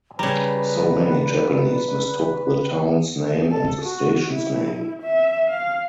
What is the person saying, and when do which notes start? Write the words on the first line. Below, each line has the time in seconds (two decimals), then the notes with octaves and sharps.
So many Japanese mistook the town's name and the station's name.
0.19 C#3 G3 B4 D5 A#5
3.51 A4
3.84 F#4
4.31 E4
5.03 E5
5.51 F5